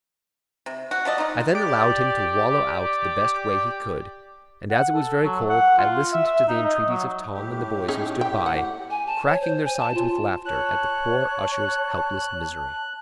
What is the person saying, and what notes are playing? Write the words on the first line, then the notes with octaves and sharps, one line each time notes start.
I then allowed him to wallow out the best way he could; and as it was very cold, I listened to the entreaties of Tom and the boys who stood by, cracking their sides with laughter at the poor usher's helpless misery.
C3
F#4
F3 A4 D5 D#5
D#4 F4
G4 D5
F#5
A4
F#3
F#5
F4
E5
E5
D#4
D#5
F#3
A2 G4
C#4 D#4 G#4
G5
F#5
G#5
A5
C#5
C5
G#5
A5
F4
C#5 A5 F#6